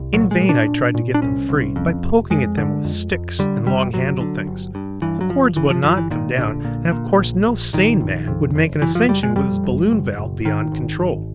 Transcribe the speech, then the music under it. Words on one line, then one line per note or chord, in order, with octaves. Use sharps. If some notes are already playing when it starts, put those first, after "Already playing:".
In vain I tried to get them free by poking at them with sticks and long-handled things; the cords would not come down, and of course no sane man would make an ascension with his balloon-valve beyond control.
Already playing: C2
A#2 F#3
G#3
A#2
D4
A#2
A#2
D4
C2 C#4
C2
F2
F1
F2 G#3
D3
F2
F2
D3 G3
F1 G3
G1 F#3
D3
G1
G2
G2 E3
F#3
G1 F3
G1 E3
F3
G1 F3
E3
A#2 D#3
A#1 D3
A#2
A#2
A#1
A#1
A#1 D#3
A#1
F2
F#1
F#1 E3
F3
F#1 G3
G#3
F2 G3
F#1
F#1
F#1
G#1 D#3
G#1
G#1